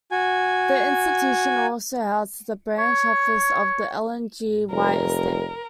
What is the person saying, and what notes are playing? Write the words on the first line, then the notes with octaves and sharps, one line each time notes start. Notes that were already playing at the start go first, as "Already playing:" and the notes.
The institution also houses a branch office of the Ellen G. White Estate.
F#4 G#5
C#5
F1 A#4